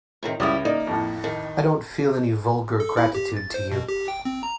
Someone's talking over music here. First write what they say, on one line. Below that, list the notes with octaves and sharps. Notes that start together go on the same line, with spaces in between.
I don't feel any vulgar gratitude to you.
A2 C3 D#3
C#2 G3 E4 D#6
A#3 D#4 D5
F2 A2
D#3
A4
E4
G4
A6
C5
B2
G4
G5
C4
A#5